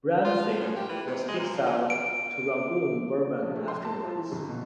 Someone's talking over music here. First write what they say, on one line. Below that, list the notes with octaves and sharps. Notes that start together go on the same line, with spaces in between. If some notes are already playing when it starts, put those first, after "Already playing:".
Ram Singh was exiled to Rangoon, Burma afterwards.
F4
F3
F#2
G4
E3
C3
G#3
A#2
F3
F3
D7
A#1
A3
C6
A5
F4
E3
G1
B2